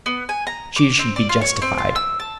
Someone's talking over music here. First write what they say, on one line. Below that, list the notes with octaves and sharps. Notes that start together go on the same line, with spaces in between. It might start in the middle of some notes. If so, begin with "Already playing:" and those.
She should be justified.
B3
G#5
A#5
D6
C4
D5
F4
C#5
C4
F4
E6
A5